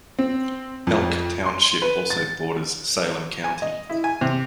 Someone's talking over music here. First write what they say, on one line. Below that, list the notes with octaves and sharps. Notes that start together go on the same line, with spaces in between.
Elk Township also borders Salem County.
C4
F2
C6
B4
A6
G#5
D#5
E4
G#5
C3